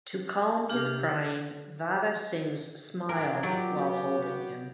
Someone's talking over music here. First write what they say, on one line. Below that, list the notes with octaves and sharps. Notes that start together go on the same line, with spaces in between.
To calm his crying, Vada sings "Smile" while holding him.
C3 D4 G4 G#4 F6
E3 G#3 A#4 G5
F#3 F4 G4 D5
B3 F#4 G4